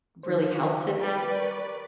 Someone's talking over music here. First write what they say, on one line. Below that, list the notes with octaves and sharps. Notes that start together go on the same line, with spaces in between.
really helps in that
D#3 C5
B4 D5
A#4 C#6